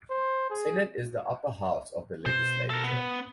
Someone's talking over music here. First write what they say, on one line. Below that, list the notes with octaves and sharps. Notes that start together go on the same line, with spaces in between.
The Senate is the upper house of the Legislature.
C5
G#4
B2 C5
A4 A#4
B3